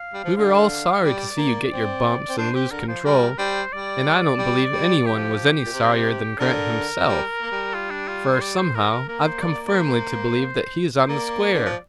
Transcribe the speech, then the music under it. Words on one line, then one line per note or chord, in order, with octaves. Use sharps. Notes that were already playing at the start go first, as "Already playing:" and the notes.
We were all sorry to see you get your bumps and lose control, and I don't believe any one was any sorrier than Grant himself; for, somehow, I've come firmly to believe that he's on the square.
Already playing: F5
G3
F3
D3 F5
G3 D5
A#3
C4
C4
D4 C5
C4 G4
D3 A#4
F3 C5
G3 A#4
G3 C5
G3 D5
G3
G3
F3 G4
A#2
C3
D3 A#4
G3
A#3
G3
F4
D4
F4
C5
D5
C5
A#4
A#4
A#3 A#4
C5
D5
D5
C5
C5
A#3 D5
D3
F3